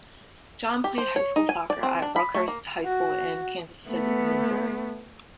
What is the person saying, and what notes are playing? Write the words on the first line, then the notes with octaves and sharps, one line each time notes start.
John played high school soccer at Rockhurst High School in Kansas City, Missouri.
G4
C5
C#5
D#4
G#5
D5
C4
D4
B5
A3
A#3
F#4
A3 B3